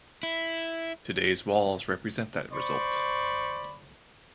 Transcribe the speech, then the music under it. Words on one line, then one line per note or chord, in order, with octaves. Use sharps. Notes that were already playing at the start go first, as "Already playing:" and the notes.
Today’s walls represent that result.
E4
C5 D5 B5 C#6